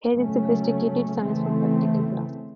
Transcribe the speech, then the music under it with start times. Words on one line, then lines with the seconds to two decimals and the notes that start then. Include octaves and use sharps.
Here is sophisticated science for practical classes.
0.14 C#3 F#3 A3 C#4
1.19 C#3 E3 A3 C4